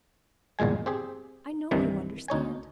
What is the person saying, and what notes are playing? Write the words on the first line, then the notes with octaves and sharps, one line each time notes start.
I know you understand.
G1 E2 A#2 G#3 G#5
C4 G4 G#4
C2 G2 C3 D#3 E3
D2 D#4 C#5 G#5